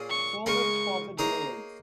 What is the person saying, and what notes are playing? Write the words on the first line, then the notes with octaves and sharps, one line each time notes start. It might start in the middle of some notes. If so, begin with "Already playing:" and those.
So much for the denials!
Already playing: A#2 A#3 C#4 G#4
C#6
C#3 G#3 C#4 A#4 C#6
A#3 D#4 G#4 C#5 A#5